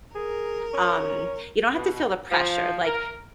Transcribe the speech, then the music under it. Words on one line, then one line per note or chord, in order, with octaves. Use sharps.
um you don't have to feel the pressure. Like,
G#4 A#4
C#4
B2
F3
A#4